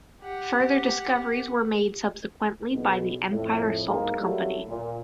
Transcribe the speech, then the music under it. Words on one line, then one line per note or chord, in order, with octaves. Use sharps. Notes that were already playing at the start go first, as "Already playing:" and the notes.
Further discoveries were made subsequently by the Empire Salt Company.
G4 F#5
B1 E2 B2
F2 A2
B1 G#2 G#3 A#3
F#3 G3 A3 A#3 E4
A#2